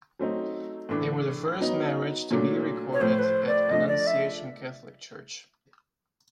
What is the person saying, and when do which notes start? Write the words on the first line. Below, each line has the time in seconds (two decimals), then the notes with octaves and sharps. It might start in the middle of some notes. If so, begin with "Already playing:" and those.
They were the first marriage to be recorded at Annunciation Catholic Church.
0.19 F#3 A3 C4 D#4
0.89 A2 E3 A3 D4
1.60 F#3 B3 D#4
2.31 A#2 F#3 A3 D4
2.93 C#5
3.01 A2 F3 A3 C5
3.19 B4
3.24 C5
3.47 D5
3.71 F3 A3 D4 D#5
3.88 D5
4.07 E5